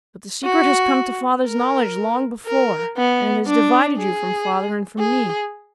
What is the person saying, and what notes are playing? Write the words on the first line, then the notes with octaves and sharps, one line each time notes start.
But the secret has come to father's knowledge long before, and it has divided you from father, and from me.'
F#4
A#4
A#4
B3
D4
G#4
G#4